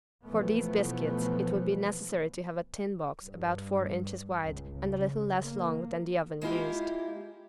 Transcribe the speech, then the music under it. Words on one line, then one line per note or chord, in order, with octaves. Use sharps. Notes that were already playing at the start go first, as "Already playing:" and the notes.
For these biscuits it would be necessary to have a tin box about four inches wide and a little less long than the oven used.
B2 E3 F3 A3 B3
G2
C#2
C#3
A#3
G#3 A#3 E4 F4 G4